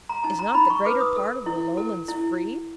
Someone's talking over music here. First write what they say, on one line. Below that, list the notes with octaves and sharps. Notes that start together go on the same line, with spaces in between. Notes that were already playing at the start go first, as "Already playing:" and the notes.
Is not the greater part of the Lowlands free?
A#5
D#4 A5
A#5
D#4 B5
C#6
B4 D6
D#6
A4
E4
A4
E4